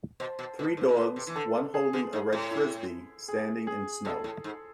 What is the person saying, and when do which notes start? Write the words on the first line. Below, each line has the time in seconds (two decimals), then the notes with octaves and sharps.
Three dogs, one holding a red Frisbee, standing in snow.
0.20 B2 C5
0.39 B2
0.59 B2 B4
0.77 G#2
0.89 B2
0.96 A2 B4
1.16 C3
1.27 E3
1.36 D3 A4
1.74 G#4
1.93 D3
2.13 G#2
2.33 A2
2.51 E4
3.28 G#4
3.67 G#4
4.05 B2 A4
4.24 A2
4.44 G#2